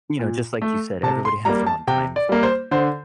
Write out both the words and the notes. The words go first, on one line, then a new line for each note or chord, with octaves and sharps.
you know, just, like, you said, everybody has their own time for it.
A#2
A3
C3 A5
C6
G3 A#3 A#5
A5
C3 G5
D5
G3 A#3
C5
D3 C5